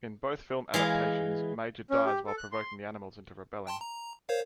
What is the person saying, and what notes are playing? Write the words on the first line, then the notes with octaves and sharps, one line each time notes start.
In both film adaptations, Major dies while provoking the animals into rebelling.
E3 G#3 F5
C#4
G4
A4
F#6
C6
G5 A5 C6
A#5
A#4 C5 C#5 F5